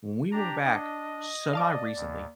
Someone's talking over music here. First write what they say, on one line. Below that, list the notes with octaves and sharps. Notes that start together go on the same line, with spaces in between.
When we went back semi-recently,
D4 G4 A#5
D4 D#5
D5 F5 A5 D6
D#2